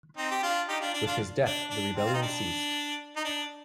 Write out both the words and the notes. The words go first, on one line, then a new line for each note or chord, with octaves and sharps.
With his death, the rebellion ceased.
C4 D#4
G4
D4 F4
D#4 G4
D4 F4
D4
D4 F4
D4
D4
C4
F4
D#4
D4
D#4
D4